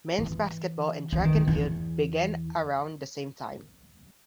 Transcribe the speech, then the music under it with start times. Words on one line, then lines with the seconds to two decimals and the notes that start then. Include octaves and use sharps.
Men's basketball and track and field began around the same time.
0.19 E3
1.12 E3
1.24 D#3
1.35 E2
1.48 E2